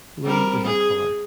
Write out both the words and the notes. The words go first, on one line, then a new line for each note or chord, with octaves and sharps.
Blue is a colour.
G3 C4 A#4
G#4